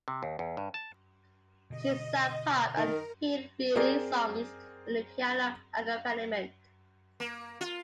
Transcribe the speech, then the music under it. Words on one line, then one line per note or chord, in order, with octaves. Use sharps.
She sang pop and "hillbilly" songs with a piano accompaniment.
C3
D#2
E2
G2
A5
B2 D3 D#5
D#3 A#4
C4 G#4 A#4 D5
A#3
F4